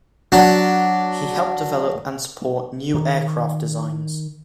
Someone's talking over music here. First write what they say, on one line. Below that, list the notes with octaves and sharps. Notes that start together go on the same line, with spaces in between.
He helped develop and support new aircraft designs.
F#3 D4
D#3